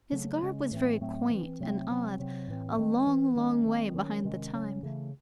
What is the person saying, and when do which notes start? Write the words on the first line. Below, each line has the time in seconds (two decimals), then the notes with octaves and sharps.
His garb was very quaint and odd--a long, long way behind the time.
0.12 C#3 F#3 A3
0.42 C#3 G#3 C#4
0.71 A2 E3 A3 C4
1.01 A2 F#3 A3 C4
1.30 E3 C4
1.60 C3 F#3 A3 C4
1.89 C3 F#3 C4
2.19 C3 F#3 C4
2.48 A2 E3 C4
2.78 D#3 G#3 C4
3.07 E3 C4
3.36 D#3 G#3 C#4
3.66 D#3 G#3 C4
3.94 D#3 F#3 C#4
4.24 C3 D#3 G#3 C#4
4.53 C#3 F#3 C#4
4.83 C#3 E3 A3